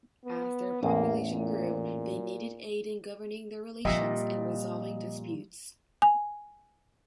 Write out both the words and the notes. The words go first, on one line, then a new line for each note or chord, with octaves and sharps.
As their population grew, they needed aid in governing their relations and resolving disputes.
B3
A1 E2 A2 A#3
A#2
A#2 F3 G3 C4 D#5 E5
G#5